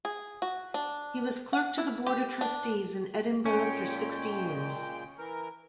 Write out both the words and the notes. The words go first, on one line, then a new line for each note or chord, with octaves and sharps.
He was clerk to the Board of Trustees in Edinburgh for sixty years.
G#4
F#4
D4
F#5
E4
G4
D4
A#2 G#3 C#4 G5
E3 A#4